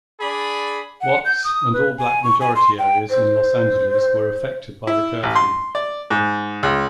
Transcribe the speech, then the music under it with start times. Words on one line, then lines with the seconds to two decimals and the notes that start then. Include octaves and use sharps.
Watts and all black majority areas in Los Angeles were affected by the curfew.
0.21 D4 G#4 D5 B5
1.01 F#5
1.25 G6
1.44 D#6
1.73 B4
1.98 G#5
2.24 C#6
2.41 G#5
2.55 C6
2.79 G5
3.09 C5
4.87 E4
5.23 A1
5.36 C6
5.75 D5
6.10 G#2
6.63 C#2